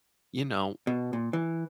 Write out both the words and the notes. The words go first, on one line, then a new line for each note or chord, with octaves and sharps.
you know,
B2
A#2
E3